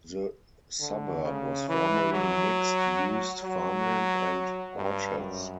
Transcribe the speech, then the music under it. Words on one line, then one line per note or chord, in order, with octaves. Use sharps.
The suburb was formerly mixed used farmland and orchards.
D3
C#3
E3
F#3
F#3
G2
F#2